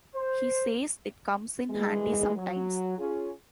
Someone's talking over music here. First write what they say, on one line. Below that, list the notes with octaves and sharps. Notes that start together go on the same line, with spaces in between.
He says it comes in handy sometimes.
C5
B2 D#3 E3 G3 G#3
F#3
C#4 F4 G#4